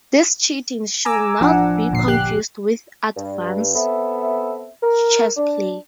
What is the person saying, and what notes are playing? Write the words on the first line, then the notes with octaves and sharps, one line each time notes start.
This cheating should not be confused with Advanced Chess play.
G#5 A#5 D6 E6
A1 F3 D4 F#5
G1 D2 A#2 C7
G4 F#6
G2
B3 C4 A4 E5
A#4
D4